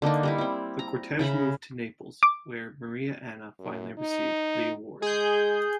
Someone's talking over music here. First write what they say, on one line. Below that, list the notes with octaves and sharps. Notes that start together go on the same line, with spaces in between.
The cortege moved to Naples, where Maria Anna finally received the award.
D3 A#3 D4 D#4
G3 D#4 E4
C4 E4
A#5
C#3 E5 A#5 B5
D6
F#2
D#4
G#3 G#4 G6